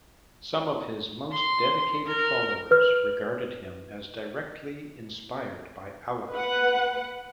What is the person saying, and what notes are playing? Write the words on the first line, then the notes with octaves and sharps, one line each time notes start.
Some of his most dedicated followers regarded him as directly inspired by Allah.
C6
A#4
B4 F6
B4 F#5